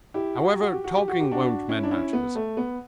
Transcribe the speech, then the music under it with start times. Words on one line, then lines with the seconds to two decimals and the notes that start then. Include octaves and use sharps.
'However, talking won't mend matters.
0.14 E4 G4
0.36 F#4
0.49 G4
0.61 F#4
0.72 G4
0.84 F#4
0.97 G4
1.08 F#4
1.20 G4
1.32 D4 F#4
1.69 C#4 E4
1.83 D4
1.91 C#4 E4
2.13 B3
2.35 A3
2.57 B3